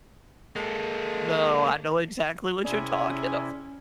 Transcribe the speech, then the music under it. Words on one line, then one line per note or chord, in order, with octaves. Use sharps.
No, I know exactly what you're talking of.
G#3 A#3 A4
C3 C#4 E4 G#4 D5